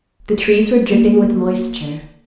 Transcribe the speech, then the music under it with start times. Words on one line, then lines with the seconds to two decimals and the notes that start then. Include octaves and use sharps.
The trees were dripping with moisture.
0.92 A#3